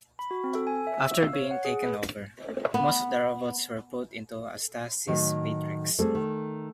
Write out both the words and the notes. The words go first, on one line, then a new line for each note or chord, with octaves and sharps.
After being taken over, most of the robots were put into a stasis matrix.
B5
F#4
C4
A4
G#5
E5
E6
F5
C#5
F#5
G#4
B4
B3
A2 D#3 F#3
G3 A3 C4 G#4
D#3